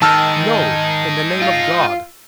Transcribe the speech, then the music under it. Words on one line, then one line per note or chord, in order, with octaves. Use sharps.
No, in the name of God!
D#3 D#4 G#4 A5 E6 F6
F4